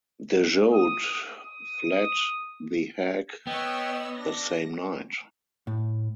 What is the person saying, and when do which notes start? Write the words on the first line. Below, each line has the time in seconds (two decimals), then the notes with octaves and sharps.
De Jode fled The Hague the same night.
0.74 D#6
1.41 D#6
3.47 B3 C#5 D#5 G5 E6
4.19 D4 A#6
5.67 A2